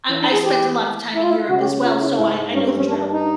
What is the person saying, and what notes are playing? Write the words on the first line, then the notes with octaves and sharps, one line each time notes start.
I I spent a lot of time in Europe as well, so I I know the drill.
E3 C#4
D4
G#4
G4
E4
F4
E4
C#3 F#4
G4
F4
E4
G#2 E4
G2 C#4
C4
C#4
D4
D4
D#4